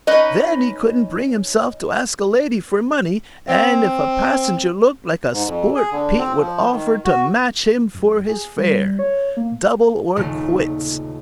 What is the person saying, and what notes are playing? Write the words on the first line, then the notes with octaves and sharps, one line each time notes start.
Then he couldn't bring himself to ask a lady for money, and if a passenger looked like a sport Pete would offer to match him for his fare--double or quits.
C#4 D#4 B4 D#5
C4
G#2
F2
G#4
D3
C4
F3
D#3
F#4
F#2
G#4
G3
C#5
A#3
D#1 A#2 C#3 A3